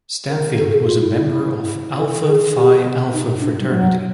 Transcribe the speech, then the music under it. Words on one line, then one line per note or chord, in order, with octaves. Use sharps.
Stanfield was a member of Alpha Phi Alpha fraternity.
A#4
A4
G#4
F4
E4
E4
E4
A4
G#4
G4
D#4
D4
G3
F#3